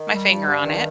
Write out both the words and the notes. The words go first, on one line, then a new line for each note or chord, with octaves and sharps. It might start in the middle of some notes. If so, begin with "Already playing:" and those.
my finger on it,
Already playing: D#3
G3
G2
G2
D#3